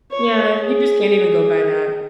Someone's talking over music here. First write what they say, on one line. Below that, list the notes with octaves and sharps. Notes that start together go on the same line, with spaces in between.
Yeah, you just can't even go by that.
C#5
G#4